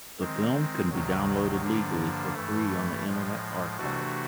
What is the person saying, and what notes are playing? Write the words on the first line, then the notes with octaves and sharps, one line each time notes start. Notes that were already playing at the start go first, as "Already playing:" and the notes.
The film can be downloaded legally for free on the Internet Archive.
D#3 G#3 C4
D2 C3 D#3 F#3
G2 D3 F3 A#3 D4
G2 E3 A3
A2 F3 G#3
C3 E3 A3 D4 F#4